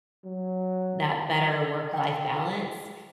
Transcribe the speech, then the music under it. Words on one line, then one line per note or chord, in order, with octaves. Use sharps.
that better work-life balance.
F#3
G5